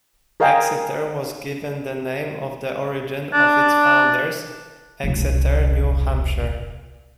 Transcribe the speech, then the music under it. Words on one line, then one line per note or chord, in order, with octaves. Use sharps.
Exeter was given the name of the origin of its founders, Exeter, New Hampshire.
G#4 A#4 D#5 F5 G5 G#5
D4
E1 C2